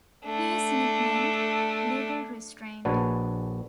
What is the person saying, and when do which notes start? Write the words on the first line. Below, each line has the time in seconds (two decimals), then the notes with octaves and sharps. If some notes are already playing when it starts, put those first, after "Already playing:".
He is nicknamed "Little Restrained".
0.25 A3 D4
2.85 A#1 D4 F#4 B4 C#5 G#5